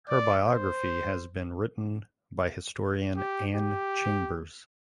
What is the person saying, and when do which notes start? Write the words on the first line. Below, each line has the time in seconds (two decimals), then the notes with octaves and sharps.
Her biography has been written by historian Anne Chambers.
0.09 D5
0.48 C5
3.17 G4
3.55 G4